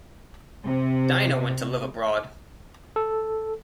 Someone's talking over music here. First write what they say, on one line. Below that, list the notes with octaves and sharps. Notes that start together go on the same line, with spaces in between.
Dina went to live abroad.
C3
A4